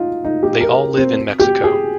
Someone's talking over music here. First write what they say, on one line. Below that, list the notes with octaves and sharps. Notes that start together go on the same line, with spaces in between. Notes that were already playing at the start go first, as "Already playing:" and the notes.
They all live in Mexico.
Already playing: D#4 F4
D#4
G4
A#4
C4
G4
G#4